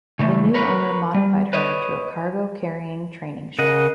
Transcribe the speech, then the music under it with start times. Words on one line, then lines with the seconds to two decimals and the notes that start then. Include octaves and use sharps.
The new owner modified her to a cargo-carrying training ship.
0.19 C#3 E3 A3
0.54 A#4 B4 C#5
1.14 G3
1.53 B4 C#5 D#5
3.59 C#3 A#4 D#5 F#5